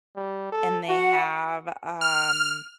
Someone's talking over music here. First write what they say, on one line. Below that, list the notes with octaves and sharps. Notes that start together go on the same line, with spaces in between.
And they have, um
G3
A4
F#4 F#5
F6